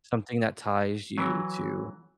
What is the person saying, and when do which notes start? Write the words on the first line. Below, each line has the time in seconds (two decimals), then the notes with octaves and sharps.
something that ties you to
1.18 E3 F#3